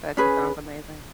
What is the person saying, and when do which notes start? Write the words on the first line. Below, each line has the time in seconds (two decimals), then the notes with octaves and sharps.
that sounds amazing.
0.17 C#4 G#4 B4